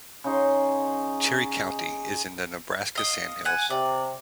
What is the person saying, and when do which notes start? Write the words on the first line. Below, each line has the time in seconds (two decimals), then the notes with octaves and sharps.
Cherry County is in the Nebraska Sandhills.
0.24 C#3 D#4 C6
2.95 D#5 F5
3.45 F#5 G#5
3.70 C3 D5